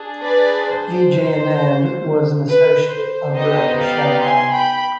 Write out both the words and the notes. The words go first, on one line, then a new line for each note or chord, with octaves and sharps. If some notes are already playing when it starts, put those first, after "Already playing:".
Vijay Anand was an Associate of Director Shankar.
Already playing: D4 G#4
B4 D5
C5
B4
C5
B3 D#4 G4 C5 D#5
D5 F5
G#5 C6
G5 B5